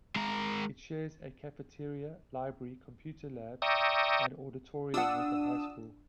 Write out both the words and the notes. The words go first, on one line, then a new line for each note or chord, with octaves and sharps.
It shares the cafeteria, library, computer labs, and auditorium with the high school.
G#3 A#4
D5 E5 G5 A#5 C#6 D#6
D4 F4 F#5 D#6 E6